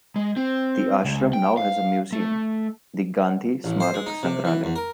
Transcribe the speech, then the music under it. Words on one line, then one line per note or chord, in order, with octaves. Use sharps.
The ashram now has a museum, the Gandhi Smarak Sangrahalaya.
G#3
C4
C#2
G5
F5
A3
A1
C5
G#3
D#4
C3
E3
E2
A#4